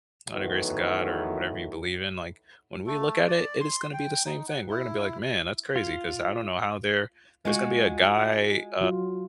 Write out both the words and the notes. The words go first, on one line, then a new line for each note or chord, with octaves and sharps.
by the grace of God or whatever you believe in, like, when we look at it, it is gonna be the same thing; we're gonna be like, "Man, that's crazy," 'cause I don't know how there there's gonna be a guy, uh,
D#3 E3 F#3 A3 B3
A3
D5
C6
G5
D#4
F#5
E4
F4
G#3 F4 F#4
F#3 F4